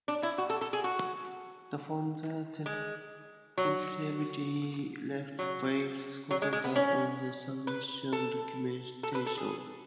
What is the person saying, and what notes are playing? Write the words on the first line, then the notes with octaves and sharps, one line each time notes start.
The founder tentatively left "Weird Concepts" on the submission documentation.
D4
E4
F#4
A4
A4
G#4
F#4
G#3
F#3
F#3
F#3
G#3
G#3
B3
C#4
B4
A4
A4
B4
A4
G#4